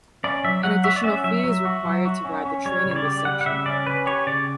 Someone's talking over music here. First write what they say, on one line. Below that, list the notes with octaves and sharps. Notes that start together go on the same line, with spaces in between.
An additional fee is required to ride the train in this section.
C#4 D5
F#3 E5
F#3 F#5
F#4 E5
D5
C#4 E5
F#3 E5
F#3 E5
F#4
F#3
F#4
C#4
C#4
G3 C#5
C#3
C#5
D5
G4
G3 F#5
F#5
C#3 E5
C#4 D5
C#4 B4
G4 C#5
C#3 D5